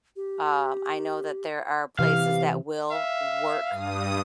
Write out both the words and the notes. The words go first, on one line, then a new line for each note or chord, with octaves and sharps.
uh, I know that there are places that will work
G4
C3 E3 G4 F5
E5 F5
G2 D#6